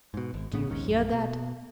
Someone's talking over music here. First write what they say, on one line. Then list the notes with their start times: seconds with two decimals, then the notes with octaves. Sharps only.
Do you hear that?
0.14 G#2 B2
0.34 G#1
0.52 A1 A2 C#3 B3
0.68 A#1 D#2 G#2 C#4
0.86 A#1 F#2
1.12 B2